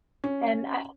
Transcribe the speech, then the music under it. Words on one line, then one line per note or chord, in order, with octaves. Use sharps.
and I
C#4